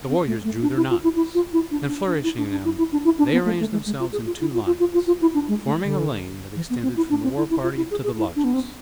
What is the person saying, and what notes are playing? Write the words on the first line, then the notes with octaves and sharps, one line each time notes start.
The warriors drew their knives, and flourishing them, they arranged themselves in two lines, forming a lane that extended from the war-party to the lodges.
C4
A3
A3
D4
E4
F4
E4
E4
F4
E4
D4
D4
D4
E4
D4
D4
E4
E4
D4
E4
D4
B3
A3
A3
G#3
G#3
F4
G#4
F4
E4
F4
F4
F4
F4
F4
E4
D4
G#3
A3
D3
E3
B3
C4
E4
D4
C4
E4
E4
F4
E4
G#4
G#4
E4
D4
B3
C4